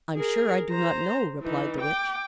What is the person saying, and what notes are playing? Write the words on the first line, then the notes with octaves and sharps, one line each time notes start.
"I'm sure I do not know," replied the Witch.
G#4 A#4
C5 A#5
E3 D#4
G5 D6